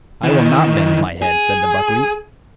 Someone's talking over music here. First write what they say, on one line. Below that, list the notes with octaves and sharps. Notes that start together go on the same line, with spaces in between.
"I will not bend my head," said the buckwheat.
D#3 E3
G#4